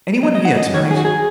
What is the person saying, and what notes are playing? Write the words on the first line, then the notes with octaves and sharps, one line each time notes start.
"Any one here to-night?"
F#3 D#5
D#5
F#3
F#5
F#2 D#5
D#3 C#5
F#2 G#4
F#4
F#3 G#4